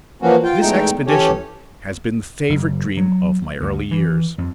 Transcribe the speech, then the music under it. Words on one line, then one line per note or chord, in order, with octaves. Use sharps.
This expedition has been the favourite dream of my early years.
E3 F3 A#3 C#4 F#4
F4 G5
E2 G#3 A3 D#4 G5
E3 C#4 G4 A4 C#5
F#1
F#3
D2
E3
F2